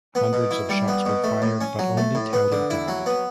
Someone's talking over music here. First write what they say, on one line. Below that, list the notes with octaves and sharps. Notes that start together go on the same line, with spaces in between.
Hundreds of shots were fired, but only Talley died.
B3
B2
E4
G3
B3
B2
A3
A2
C#4
F#3
A3
A2
B3
D3
E4
F#3
B3